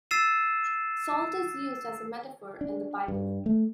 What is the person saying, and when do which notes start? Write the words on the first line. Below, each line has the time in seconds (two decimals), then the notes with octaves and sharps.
Salt is used as a metaphor in the Bible.
0.11 E6 A6 C7 D#7 E7
2.61 D4
3.08 G2
3.46 A3